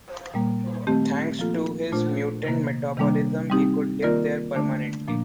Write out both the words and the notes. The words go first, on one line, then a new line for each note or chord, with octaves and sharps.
Thanks to his mutant metabolism, he could live there permanently.
A#2 G3 A#3
D#3 A3 C4 G4
F3 A#3 F4 A4
A#2 A3 D4 F4 C5
C3 D#3 A#3
C3 D#3 G3 A#3 D4
G3 C4 D#4 G4
D#3 A#3 F4 A#4 D5
D3 A3 D4
A#2 F3 A#3 D4